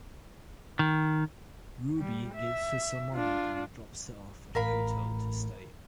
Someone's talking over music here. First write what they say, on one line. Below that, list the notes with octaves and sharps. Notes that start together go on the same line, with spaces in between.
Ruby gives her some money and drops her off at a hotel to stay.
D#3
G3
E5
D4 F4
A1 A2 A#4 F5 B5